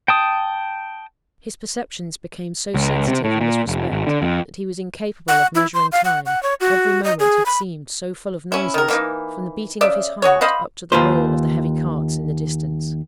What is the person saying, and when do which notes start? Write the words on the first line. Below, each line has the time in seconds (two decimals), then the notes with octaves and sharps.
His perceptions became so sensitive in this respect that he was incapable of measuring time, every moment had seemed so full of noises, from the beating of his heart up to the roll of the heavy carts in the distance.
0.08 G5 A5 D#6
2.74 C#2
3.07 C3
3.24 A2
3.41 A#2
3.67 F1
3.92 G#1
4.07 D3
4.22 F2
5.28 F#5
5.55 E4
5.74 C6
5.92 F5
6.05 F#5
6.26 F#5
6.43 C#5
6.60 F#4
7.04 D#5
7.20 G#4
7.46 B5
8.52 C#4 E4
8.74 D#3 A#4
8.88 E3 A#3 D#4
9.81 C#3 D5 E5
10.22 F#4 G#4 C#5
10.41 C5 D#5 F5 B5
10.92 D#2 F4 B4 C5